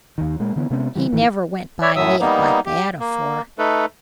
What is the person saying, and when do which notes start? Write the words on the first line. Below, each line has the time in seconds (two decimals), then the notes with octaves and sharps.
He never went by me like that afore.
0.18 D#2 D#3
0.40 A#2 G#3 A#3
0.56 D3 E3 B3
0.71 C3 G#3 B3 C#4
0.95 C#3 E3 G3
1.13 A1 D#3 E3
1.82 C#5 D5 E5
1.96 F#2 A2 F#3 E5 D#6 E6
2.21 G3 A#3 B3 D#4
2.66 G4
3.00 A#3
3.59 A3 D#4 A4 B4